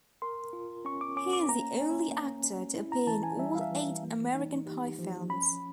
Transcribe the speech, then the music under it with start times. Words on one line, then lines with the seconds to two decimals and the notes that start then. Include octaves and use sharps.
He is the only actor to appear in all eight "American Pie" films.
0.22 A#4 C6
0.53 F4
0.85 C#4 C#6
1.01 D6
1.17 C#4 D6
1.33 D6
1.48 A#3 A#5
1.80 C#4
2.12 A#3
2.44 C#4
2.76 E4
2.92 A#5
3.07 E3 A5
3.23 G#5
3.39 G3 E5
3.55 F5
3.61 E5
3.72 E3
4.04 A#3
4.35 D#4
4.66 G4
4.99 F3
5.29 C#4 B5